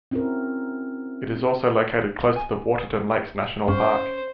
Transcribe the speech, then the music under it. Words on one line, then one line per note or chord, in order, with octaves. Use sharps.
It is also located close to the Waterton Lakes National Park.
C4 C#4 E4 F#4 G#4 A#4
G#5
G2 C#4 C5